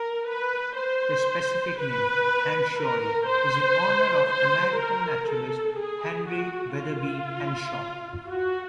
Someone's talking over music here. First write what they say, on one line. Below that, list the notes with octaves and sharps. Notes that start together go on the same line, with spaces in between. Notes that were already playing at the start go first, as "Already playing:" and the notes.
The specific name, "henshawi", is in honor of American naturalist Henry Wetherbee Henshaw.
Already playing: A#4
B4
C5
B4
A#4
C5
C5
A#4
A4
G#4
F#4
F4
F#4